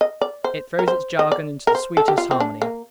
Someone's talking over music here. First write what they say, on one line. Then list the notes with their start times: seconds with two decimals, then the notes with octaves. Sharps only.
It throws its jargon into the sweetest harmony.
0.01 D#5
0.21 D5
0.44 C5
0.79 A#4
0.88 C5
1.19 D#5
1.32 D5
1.67 A#4
1.75 C5
1.97 A4
2.08 G4
2.18 F4
2.31 C4
2.40 D4
2.62 A#3